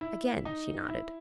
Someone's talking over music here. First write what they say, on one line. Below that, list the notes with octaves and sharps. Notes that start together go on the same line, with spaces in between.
Again she nodded.
E4
D#4
E4